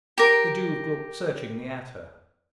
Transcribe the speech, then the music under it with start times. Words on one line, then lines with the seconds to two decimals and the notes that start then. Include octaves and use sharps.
The Duke looked searchingly at her.
0.18 G4 A#4